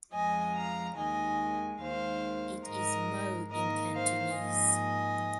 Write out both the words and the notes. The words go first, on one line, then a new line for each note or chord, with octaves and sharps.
It is Mo in Cantonese.
F2 F3 G#3 D#5 G#5
F5 A#5
D#2 D#3 G#3 D#5 G#5
D#2 D#3 G#3 C5 F5
G#2 G#3 A#4 D#5
G#2 D#3 A#3 A#4 D#5
C5 F5
G#2 F3 A#3 D#5 G#5